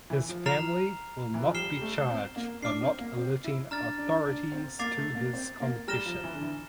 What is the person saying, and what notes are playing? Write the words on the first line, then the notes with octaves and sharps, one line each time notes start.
His family will not be charged for not alerting authorities to his confession.
E3
F3
A#5 F6 C7 F7
E3
F3
G3 F6 C7 E7 G7
G3
A3
C4
A#3
D4 D6 F6 C7
C4
A#3
C4
E4
D4 A#5 F6 A6
D4
D4
C4
A#3 D6 A6 C7 F7
A3
A#3
C4
A#3
G3 A#5 F6 A#6 E7 G7
F3
E3
D3
E3